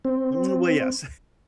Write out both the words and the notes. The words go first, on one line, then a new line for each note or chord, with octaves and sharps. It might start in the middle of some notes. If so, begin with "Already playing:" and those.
Mm, well, yes,
C4